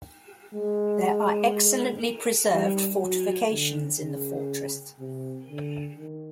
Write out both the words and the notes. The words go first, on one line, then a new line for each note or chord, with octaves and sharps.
There are excellently preserved fortifications in the fortress.
G#3
G3
F#3
D3
C#3
C3
D3
D#3